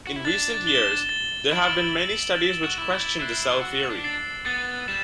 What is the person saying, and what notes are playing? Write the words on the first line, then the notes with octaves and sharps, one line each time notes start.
In recent years, there have been many studies which question the cell theory.
F#4
E4
D4 A6
E7 G7
A6
E4 D7 F#7
E6
A6 E7 G7
F#4
E4 D6
E4 F#6 C7 E7 G7
F#4 E6
D4
A6 C7 F#7
B3 A6
G3 E7